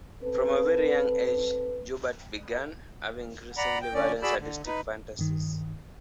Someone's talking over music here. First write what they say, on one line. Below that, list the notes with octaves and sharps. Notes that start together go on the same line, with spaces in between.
From a very young age, Joubert began having increasingly violent sadistic fantasies.
C4 A4 B4
D5 F#5 A#5 B5
G5
D3 C#4 D5
F#4 G#4 D5 B5 E6
D3
D#4 B4
G2 D#3